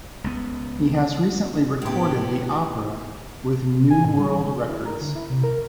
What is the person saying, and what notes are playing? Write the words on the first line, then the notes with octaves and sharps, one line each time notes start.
He has recently recorded the opera with new world records.
C#2 B3
A2 B3 G4
G#5
A2
G3
E3
G#3
E4
A#4
D3
E4
C3
A#4